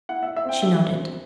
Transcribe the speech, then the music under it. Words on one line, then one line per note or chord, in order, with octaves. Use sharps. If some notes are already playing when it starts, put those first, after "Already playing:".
She nodded.
E4 F#5
E5
E4
E5
C4 G5
D3 E5
F#3
C4